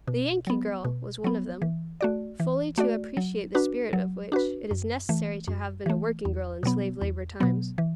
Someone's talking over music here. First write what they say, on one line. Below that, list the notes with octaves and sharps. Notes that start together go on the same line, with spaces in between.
"The Yankee Girl" was one of them, fully to appreciate the spirit of which, it is necessary to have been a working-girl in slave-labor times.
B2
F#3 B3
B2
F#3 B3
E3
A3 F#4 D5
E3
A3 F#4 D5
F#3
D4 F#4 B4
F#3
D4 F#4 B4
F#2
E3 A3
F#2
E3 A3
E2
B2 F#3 B3
E2
B2 F#3 B3
E3